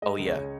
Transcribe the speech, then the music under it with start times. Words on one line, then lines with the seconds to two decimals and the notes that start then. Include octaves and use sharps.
Oh, yeah.
0.02 G#3 D#5
0.19 C#2
0.27 C#5
0.36 C#3